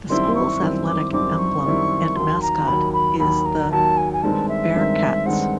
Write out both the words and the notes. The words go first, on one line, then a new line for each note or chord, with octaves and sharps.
The school's athletic emblem and mascot is the "Bearkatz".
F#2 D#3 G3 C4 E4 C6
C#6
F#2 D#3 G3 C4 E4
D6
F#2 D#3 G3 C4 E4 D6
C#6
F#2 D#3 G3 C4 E4
D#2 D#3 F#3 C6
A#5
D#2 D#3 F#3 B5
B5
D#2 D#3 F#3 B5
A#5
D#2 D#3 F#3 A5
G#5
G#5
G2 D#3 G#3 C4 A5
E5
G2 D#3 G#3 C4
G2 D#3 G#3 C4 F#5